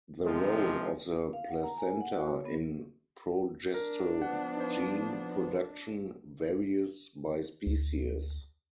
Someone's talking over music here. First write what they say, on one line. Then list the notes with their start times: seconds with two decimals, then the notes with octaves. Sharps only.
The role of the placenta in progestogen production varies by species.
0.24 C3 D#3 F3 G#3
1.33 F5
1.49 F#5
1.64 A#5
1.78 G#5
2.01 F#5
2.15 F#4
2.28 C#5
2.45 B3
3.74 D4 A#4
4.22 F3 B3 F#5
4.57 D#4 C5
7.67 D2